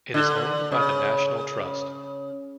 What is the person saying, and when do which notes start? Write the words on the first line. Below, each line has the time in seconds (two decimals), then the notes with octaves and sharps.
It is owned by the National Trust.
0.14 D3
0.72 C#3